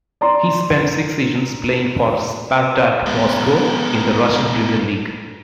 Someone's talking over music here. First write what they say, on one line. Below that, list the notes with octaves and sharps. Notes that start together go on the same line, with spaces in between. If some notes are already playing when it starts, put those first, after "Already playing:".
He spent six seasons playing for Spartak Moscow in the Russian Premier League.
D5 A#5 C6
G#3 B3